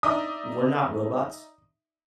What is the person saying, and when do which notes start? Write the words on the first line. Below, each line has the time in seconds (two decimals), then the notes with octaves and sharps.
we're not robots,
0.03 D#4 D5 E5 D#6